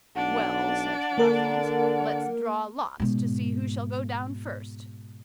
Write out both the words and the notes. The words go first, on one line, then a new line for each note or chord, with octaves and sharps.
"Well," said the ruffians, "let's draw lots to see who shall go down first."
B1 D4 D5 F#5
D3 A#3 A#4
G#2 B2